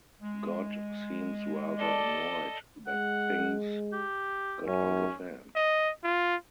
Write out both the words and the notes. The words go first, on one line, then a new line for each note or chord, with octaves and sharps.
God seems rather annoyed that things 'got out of hand'.
G#3
A4 D5 D#5 A5
G#3 F#5
G4
F#2 C#4
D#5
F4